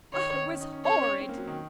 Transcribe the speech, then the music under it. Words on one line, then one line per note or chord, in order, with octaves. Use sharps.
Oh, it was horrid!'
D#3 C#5
D#3
C#4
D#4
C#4
C4 C#5
C#4
C4
A#3
F#3
D#3